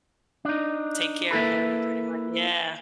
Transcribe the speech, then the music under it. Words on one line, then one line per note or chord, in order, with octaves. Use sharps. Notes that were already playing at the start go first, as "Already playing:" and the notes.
Take care of him pretty mu yeah.
D4 D#4
A#3 E4 A4 B4